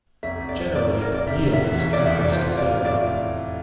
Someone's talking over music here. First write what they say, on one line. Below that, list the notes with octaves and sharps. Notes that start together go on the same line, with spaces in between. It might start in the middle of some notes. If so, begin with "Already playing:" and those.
Generally, yields increase considerably.
F1 E5
F1
D5
F1
F1 D5
F1
A#4
F1 D5
C3 E5
F1
E5
E2
F1 E5
D5
E2
E5
F1 D5
F4 C5
F4
D5
F4
A2 D5